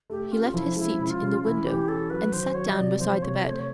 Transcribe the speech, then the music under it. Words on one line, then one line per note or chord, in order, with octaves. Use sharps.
He left his seat in the window and sat down beside the bed.
A3 G4
C#4 F4
F3 E4
G#3 E4
C#3
F4
C#3
E3 E4
E3 G4
C#4 A4
F#3 B4
D#3 C5
F#3 C#5
D#5
C3 D5
F3 C5
C3 C#5
A3 C#5
C5
C#5